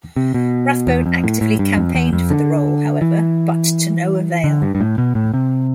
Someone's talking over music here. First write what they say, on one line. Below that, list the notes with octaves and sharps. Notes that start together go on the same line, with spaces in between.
Rathbone actively campaigned for the role, however, but to no avail.
C3
B2
E2
F2
A2
A2
G2
F2
E2
F2
D3
E3
D3
G2
G2
A2
B2
A2
C3